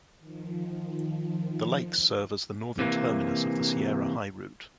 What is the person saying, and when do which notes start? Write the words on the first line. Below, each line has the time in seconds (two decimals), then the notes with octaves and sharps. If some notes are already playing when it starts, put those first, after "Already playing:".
The lakes serve as the northern terminus of the Sierra High Route.
0.19 D#3 F3
2.79 C3 E3 A#3